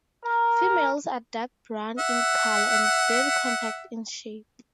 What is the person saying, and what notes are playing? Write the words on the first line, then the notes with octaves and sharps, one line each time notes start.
Females are dark brown in color and very compact in shape.
A#4
E5 F#5